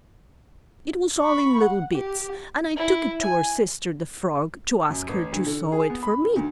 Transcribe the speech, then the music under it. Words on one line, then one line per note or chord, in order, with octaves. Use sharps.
'It was all in little bits, and I took it to our sister the frog to ask her to sew it for me.
B5 C#6
F#5
G4
E4
G#5
F#2
A1
D2
D3
G#4
B3
B5
D#3
D2